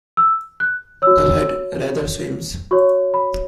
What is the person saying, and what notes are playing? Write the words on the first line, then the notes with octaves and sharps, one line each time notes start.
The head rather swims.
E6
F#6
F#4 C#5 E6
F#4 C#5 C#6
B5